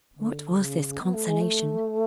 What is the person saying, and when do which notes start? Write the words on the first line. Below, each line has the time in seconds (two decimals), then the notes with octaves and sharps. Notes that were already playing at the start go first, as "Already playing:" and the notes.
What was this consolation?
0.16 D3
0.58 C#3
1.00 B3
1.13 A3
1.27 G#3
1.40 A3